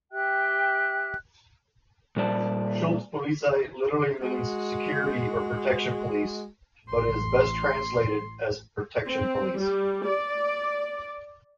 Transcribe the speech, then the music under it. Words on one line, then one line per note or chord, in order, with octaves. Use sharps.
"Schutzpolizei" literally means security or protection police but is best translated as Protection police.
G4 E5 G5 F#6
A#2 G3 C5 D5 A5
G#3 F#4
A1 C6
C4
G3
D5